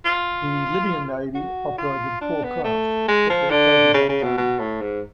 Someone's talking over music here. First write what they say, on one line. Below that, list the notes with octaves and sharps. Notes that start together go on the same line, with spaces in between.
The Libyan Navy operated four craft but their fate is unknown.
F4
F#4
F4
D4
B3
A3
G#3
F3
D3
C#3
C#3
B2
B2
A2
G#2